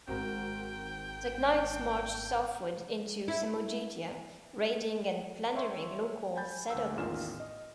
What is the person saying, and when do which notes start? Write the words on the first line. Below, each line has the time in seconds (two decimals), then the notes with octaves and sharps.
The knights marched southward into Samogitia, raiding and plundering local settlements.
0.07 G#1 G#2 C4 F#4 A#4 G5
3.28 E4
5.55 C#5 E5 G5 C6 C#6
6.36 G5 G#5 B5 G6 A6
6.70 D2 A#3 F#5 E6
6.98 A1 E2 D#3 F4 F6 E7
7.40 D#5